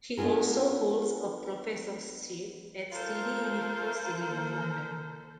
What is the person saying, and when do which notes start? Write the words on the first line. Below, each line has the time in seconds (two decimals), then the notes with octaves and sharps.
He also holds a Professorship at City University of London.
0.17 B3 D4 F4 G#4 A#4
2.92 F4 A4 A#4 C5
4.28 D#3 A#3 E4